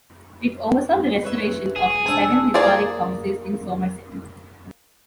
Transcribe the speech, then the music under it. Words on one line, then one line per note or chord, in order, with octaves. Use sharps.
It oversaw the restoration of seven historic houses in Somerset.
B4 C#5 E5
F1 G#4
D4 C5 G#5 A5 E6
A#3 G#4 D5